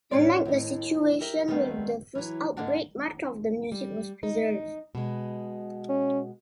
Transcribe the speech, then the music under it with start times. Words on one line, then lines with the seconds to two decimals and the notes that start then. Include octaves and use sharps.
Unlike the situation with the first outbreak, much of the music was preserved.
0.11 E2 A2 C#4 G4 C#5 D5
0.45 D#2 A2
1.20 G4 A#4 E5
1.48 D#3 G3 A3 B3 C4
2.15 E3 F#3
2.57 G#2 D3 A#3 D4 F#5
3.72 G3
4.23 D#4
4.95 B2 G#3
5.89 C#4